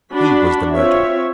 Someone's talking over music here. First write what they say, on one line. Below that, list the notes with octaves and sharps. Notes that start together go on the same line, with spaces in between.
HE was the murderer!
D4 F#4 B5
C4 F4 C#5 E5